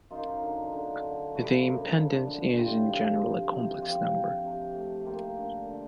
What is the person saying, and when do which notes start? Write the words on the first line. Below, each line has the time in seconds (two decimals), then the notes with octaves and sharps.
The impedance is, in general, a complex number.
0.11 F#2 D#4 F4
0.42 D3
0.72 D3
1.04 D3
1.34 F3 E4 F#4
1.65 F#2
1.96 D3
2.28 D3
2.58 C3 F4 G4
2.89 F3
3.20 F3
3.51 C3
3.82 F3 F4 G4
4.13 C3
4.44 C3
4.75 A3
5.05 A#3 F4 G4
5.37 D3
5.67 D3